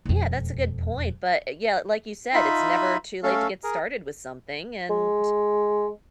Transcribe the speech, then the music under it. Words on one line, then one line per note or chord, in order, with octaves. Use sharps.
Yeah, that's a good point, but, yeah, like you said, it's never too late to get started with something, and
E1 F2
D#4 F4 E5 B5
A3 C#4 A4 F5
G#4 A#4
G#3